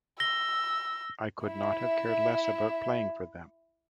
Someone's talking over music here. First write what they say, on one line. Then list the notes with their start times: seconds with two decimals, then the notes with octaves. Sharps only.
I could not have cared less about playing for them.
0.20 E6 A#6 G7
1.46 E4 E5